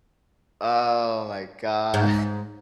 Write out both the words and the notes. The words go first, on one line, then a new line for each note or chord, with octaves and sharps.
Oh my god.
G#2